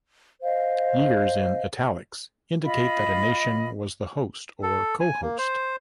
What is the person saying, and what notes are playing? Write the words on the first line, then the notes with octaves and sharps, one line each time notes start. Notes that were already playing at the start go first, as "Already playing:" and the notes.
Years in "italics" indicate that a nation was the host or co-host.
C5 D#5 F5
F4 D#5 B5
A4
G#5
A#3
C5